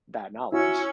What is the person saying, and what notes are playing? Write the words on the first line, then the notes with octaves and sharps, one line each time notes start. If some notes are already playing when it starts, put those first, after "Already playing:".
that knowledge.
C#4 E4 F#4 E6